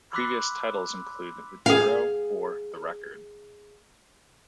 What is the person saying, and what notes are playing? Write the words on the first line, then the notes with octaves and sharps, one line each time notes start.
Previous titles include The Tyro or The Record.
B5 C6 D6 E6 F#6 B6
G#4 F5